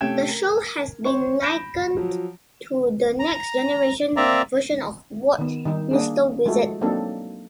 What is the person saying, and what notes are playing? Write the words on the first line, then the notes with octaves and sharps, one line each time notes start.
The show has been likened to the next generation version of "Watch Mr. Wizard".
C3 A3 C#4 G5 G#6 E7
A#4
C5 C#5 C#6
B5 G6 A#6 D7 E7
F3 F#3
A#5
A#3 C4 D5 E5 A#5
D#3 B3
D#3 G3 D#4
A#3 D4 G#4
F3 G#3 A3 E4 F#4 A4
F#3 A#3 C4 D4 D#4 A4